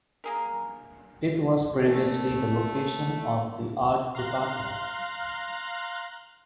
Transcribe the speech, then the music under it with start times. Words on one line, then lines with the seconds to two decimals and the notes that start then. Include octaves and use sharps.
It was previously the location of the art department.
0.24 A#3 G#4 A#4
1.86 E3 A3 A#3 D4
4.15 F5 A#5 C6 F6 F#6